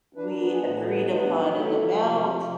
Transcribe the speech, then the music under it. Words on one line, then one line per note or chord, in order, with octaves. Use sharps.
We agreed upon an amount.
D4 B4
A#4
B3
G#4
A2 D4
E4
B3
D#4
B3 D#4
D4
F#3 D#4
D#4
A3 E4
F3 F4
C3 F#4
G4
F3
F4